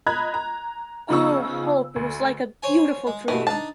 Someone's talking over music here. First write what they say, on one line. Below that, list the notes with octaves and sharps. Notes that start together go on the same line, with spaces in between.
Oh, Hope, it was like a beautiful dream!
D#5 A#5 B5 F#6 G#6
A#5
C#3 F3 B3 D#4 C#6 E6
D2
C5 C#5 G#5
G#3
G2 B2 E3 A3
D4 D#4 A5